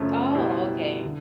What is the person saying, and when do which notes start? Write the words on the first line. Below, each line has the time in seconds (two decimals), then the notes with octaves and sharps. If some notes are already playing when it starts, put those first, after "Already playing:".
Oh, okay.
Already playing: F#2 C#3 F3 A3
0.34 B2 G3 C4 E4
1.04 D3